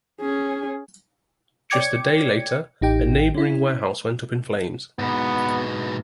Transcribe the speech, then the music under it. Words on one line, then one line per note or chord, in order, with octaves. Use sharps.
Just a day later, a neighbouring warehouse went up in flames.
C#4 G#4
C#5 D5 G5 D6 G#6 C#7
A1 D#4 G4 G5
C#4 E4
G#2 B2 B3